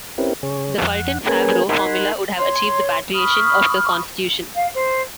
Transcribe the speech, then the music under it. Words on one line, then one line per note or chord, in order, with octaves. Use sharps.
The Fulton-Favreau formula would have achieved the patriation of the Constitution.
C4 C#4 E4 G4 A#4 B4
C#3 G#4 C#5
F2 F#5
A#3 C#4 G#4 A#4 B4 G#5
D#4 A#4 F#5 G#5 B5 C6
C#5 C6
B5 C#6 D#6 F6
F5
C5